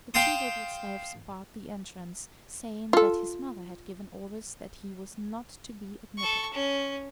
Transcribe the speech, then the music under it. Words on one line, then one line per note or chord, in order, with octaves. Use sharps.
The two little slaves barred the entrance, saying that his mother had given orders that he was not to be admitted.
F5 G5 A5 C6 D#6
F4 A4
A4 C#6
C#4